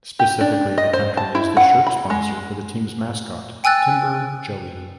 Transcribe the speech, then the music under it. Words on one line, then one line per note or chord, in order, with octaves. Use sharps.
Specifically, the company is the shirt sponsor for the team's mascot, "Timber Joey".
G4
D4
D#5
C5
A5
E4
F#5
B5
G#3
G5 G#5 E6 F#6 A6